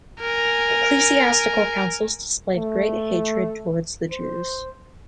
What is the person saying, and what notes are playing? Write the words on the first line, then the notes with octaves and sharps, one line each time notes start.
Ecclesiastical councils displayed great hatred toward the Jews.
A#4 G#5
A3
C5